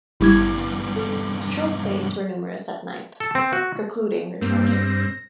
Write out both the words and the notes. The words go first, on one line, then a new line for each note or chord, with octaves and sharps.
Patrol planes were numerous at night, precluding recharging.
G#1 E2 G2 G3 E4 G#6
A4
A4
C4
F#4
G2 A#3 C4
A#6